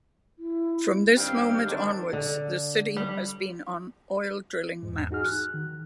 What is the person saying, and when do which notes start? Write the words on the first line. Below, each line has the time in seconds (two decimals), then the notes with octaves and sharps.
From this moment onwards the city has been on oil drilling maps.
0.39 E4
1.16 G2 D#3 G3 C4 F5 G5
1.65 D3 D#3 F#3 C4 D4
2.13 D3
2.97 G3
4.83 E2 G#2
5.11 D#4 F#4 G#4 F6
5.25 F#6
5.54 D#3